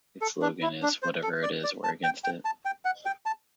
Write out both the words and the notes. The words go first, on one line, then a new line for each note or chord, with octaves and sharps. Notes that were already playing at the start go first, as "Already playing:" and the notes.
Its slogan is Whatever it is, we're against it.
A4
D4
E4
D4
C5
A4
D5
D5
A5
G5
G5
A5
G5
F#5
G5
A5